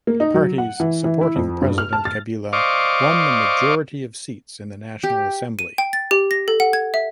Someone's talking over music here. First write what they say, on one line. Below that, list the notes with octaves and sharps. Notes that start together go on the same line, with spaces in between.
Parties supporting President Kabila won the majority of seats in the National Assembly.
A#3
D#4
F#3
F#5
E3
E3
E4
F2
G2
F6
A5
A6
C5 D5 D#5 F5 C#6 D6
G4
D#7
G5
A6
G4
A#6
A4
F#5
G#6
E5